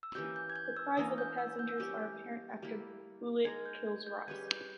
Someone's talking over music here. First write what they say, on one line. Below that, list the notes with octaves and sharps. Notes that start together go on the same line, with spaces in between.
The cries of the passengers are apparent after Bullitt kills Ross.
E6
E3 A#3 C#4 G4 G6
G6
G#6
G6
E6
E3 A#3 C#4 D#6
G6
E6
G6
E6
G3 C#4 G4 G6
G3 A#3 E4
G#3 D#4 A#4 G#6
G6
G#6
G6
G3 C#4 G#4 B4 G#6
G6